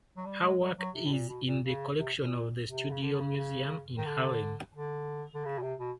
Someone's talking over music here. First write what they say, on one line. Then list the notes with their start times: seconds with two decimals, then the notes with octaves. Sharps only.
Her work is in the collection of the Studio Museum in Harlem.
0.17 F#3
0.25 G3
0.42 G#3
0.60 G3
0.77 F#3
0.95 C3
1.06 A2
1.12 A#2
1.29 B2
1.46 A#2
1.64 C#3
1.98 C3
2.16 A#2
2.68 C3
2.91 C#3
3.03 D3
3.13 D3
3.20 C#3
3.37 C#3
3.98 D#3
4.06 D3
4.75 D3
5.34 D3
5.45 C#3
5.58 B2
5.62 C3
5.79 B2